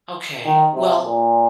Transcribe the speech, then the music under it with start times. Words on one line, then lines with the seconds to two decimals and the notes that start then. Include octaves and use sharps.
Okay. Well,
0.45 D#3
0.74 C3
1.02 A#2